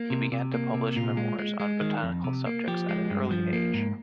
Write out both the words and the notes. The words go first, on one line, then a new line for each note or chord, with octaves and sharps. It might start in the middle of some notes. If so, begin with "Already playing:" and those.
He began to publish memoirs on botanical subjects at an early age.
Already playing: A#3
C3
C3
A#3
C3
A#2 F4
G#3
G#3
G#3
D#3
F2
C3
A#3
F3 G4
G#3
G2
F3
A#3
G#2